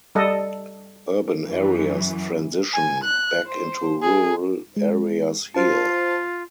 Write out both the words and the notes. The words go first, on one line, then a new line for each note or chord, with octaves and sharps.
Urban areas transition back into rural areas here.
G3 A4 D#5
F#2 E3
G#5
F#6
C5
G#4
G#3
F4 C5 A5